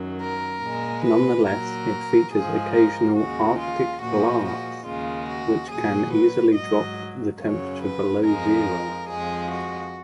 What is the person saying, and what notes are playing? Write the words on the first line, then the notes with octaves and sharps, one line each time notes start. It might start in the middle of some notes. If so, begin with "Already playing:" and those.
Nonetheless, it features occasional 'arctic blasts' which can easily drop the temperature below zero.
Already playing: F#2 D#3 F#3
A#4
A#2 G#3
B4
A#2 F#3 A#4
G#2 F3 G#3 G#4
A#4
D#2 C#3 G#3 F#4
F4
A#2 F3 G#3 F#4
F#4
D#2 C#3 G#3 F4
F#4
A#2 F#3 G#4
B4
G#2 F#3 D#5
F#2 C#3 F#3 C#5
B4
F2 F3 G#3 A#4
F2 F3 G#3 G#4
F#4